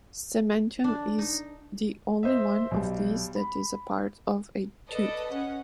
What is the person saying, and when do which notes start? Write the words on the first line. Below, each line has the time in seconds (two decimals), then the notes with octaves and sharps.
Cementum is the only one of these that is a part of a tooth.
0.84 D4
1.19 D#4
2.23 C5 D#5 E5
2.71 B1 G3
3.35 B5
4.90 A4 B4 D5 D#5
5.31 C#4 F#5